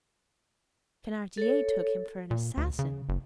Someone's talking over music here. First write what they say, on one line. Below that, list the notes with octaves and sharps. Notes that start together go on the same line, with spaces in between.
Thenardier took him for an assassin.
A4 C#5
A#2
D2
C#3
F#1